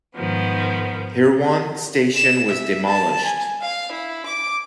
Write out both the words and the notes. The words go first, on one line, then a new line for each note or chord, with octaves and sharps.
Hirwaun station was demolished.
G#2 D#3 F3 B3
E7
E5
A5
G#5
F5
E4
D6